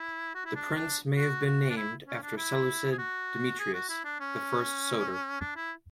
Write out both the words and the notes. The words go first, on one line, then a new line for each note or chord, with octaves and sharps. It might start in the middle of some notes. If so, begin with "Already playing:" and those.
The prince may have been named after the Seleucid Demetrius the First Soter.
Already playing: E4
F#4
E4
D4
D4
F#4
F#4
D4
E4
C#4
D4
E4
G#4
F#4
G#4
F#4
E4
D4
C#4
D4
E4